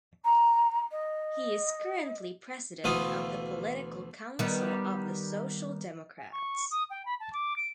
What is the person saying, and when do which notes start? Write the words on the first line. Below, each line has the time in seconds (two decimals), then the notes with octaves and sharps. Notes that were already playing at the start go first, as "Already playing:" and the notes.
He is currently president of the Political Council of the Social Democrats.
0.24 A#5
0.91 D#5
2.84 D2 B2 E3 F4 F#4 D#6
4.39 D#3 G3 B3
6.18 G#5
6.32 C#6
6.71 D#6
6.90 G5
7.06 B5
7.20 A5
7.33 D6
7.56 D7